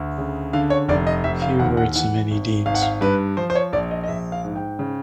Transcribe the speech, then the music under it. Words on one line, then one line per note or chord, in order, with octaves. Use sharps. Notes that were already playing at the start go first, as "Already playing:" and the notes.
Few words and many deeds.
Already playing: D2
C#3
D3 F5
C#5
F1 D5
D#5
F1 E5
F5
D#2 F#5
F#5
E3 F#5
G#1
G#1 F5
F#5
F5
G2 B4
F3 C5
C5
C#5
A#1 D5
D#5
D#5
A#1 E5
F5
G#2
G5
C#3